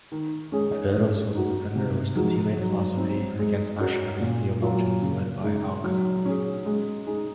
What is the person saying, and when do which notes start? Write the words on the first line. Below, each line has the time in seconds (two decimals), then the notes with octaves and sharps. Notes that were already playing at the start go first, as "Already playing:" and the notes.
Averroes was a defender of Aristotelian philosophy against Ash'ari theologians led by Al-Ghazali.
0.12 D#3
0.52 G#3 C#4 G#4
0.94 G#3
1.34 D#4 F#4
1.75 C3
2.15 F3 G#3 D#4 F#4
2.57 F#3
2.97 C4 D#4
3.39 G#3
3.79 C#4 F#4 A#4
4.21 A#2
4.62 F#3 A#3 F4
5.02 C#3
5.43 G#3 D#4
5.84 F#3
6.25 C#4 G#4
6.66 G#3
7.07 D#4 G#4